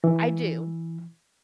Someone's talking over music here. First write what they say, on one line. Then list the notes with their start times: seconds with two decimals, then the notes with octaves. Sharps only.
I do.
0.04 E3